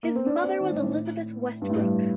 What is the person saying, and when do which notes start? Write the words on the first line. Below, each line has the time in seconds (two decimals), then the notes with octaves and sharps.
His mother was Elizabeth Westbrook.
0.03 A#3
0.16 C4
0.26 D4
0.44 C4
0.60 D#3
0.71 A2
0.83 A2
1.62 G2
1.70 A2
1.78 G2